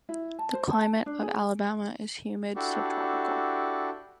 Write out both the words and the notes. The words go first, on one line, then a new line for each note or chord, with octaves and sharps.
The climate of Alabama is humid subtropical.
E4
A5
C5
A5
D4
G#4
D4 E4 F#4 G4 A4